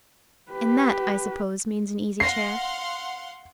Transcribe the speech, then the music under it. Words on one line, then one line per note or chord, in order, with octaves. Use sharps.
"And that, I suppose, means an easy-chair?"
G4 B4
F5 F#5 C6 A#6 C7